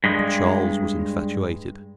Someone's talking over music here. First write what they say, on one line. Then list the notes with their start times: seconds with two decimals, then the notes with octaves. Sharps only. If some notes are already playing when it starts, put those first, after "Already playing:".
But Charles was infatuated.
0.04 G2 G#3